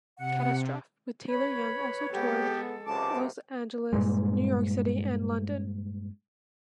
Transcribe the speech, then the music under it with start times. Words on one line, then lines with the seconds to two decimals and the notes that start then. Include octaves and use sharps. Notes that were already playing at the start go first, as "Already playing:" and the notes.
"Catastrophe" with Taylor-Young also toured Los Angeles, New York City and London.
0.18 C3 F#5
1.30 B4 C#5 B5
2.12 G#3 B3 G4 A4
2.87 C#2 F#2 C3 A5 D6
3.93 G2 A#2 G#3